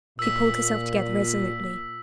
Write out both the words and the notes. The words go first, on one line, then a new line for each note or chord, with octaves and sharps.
She pulled herself together resolutely.
A#2 E6 B6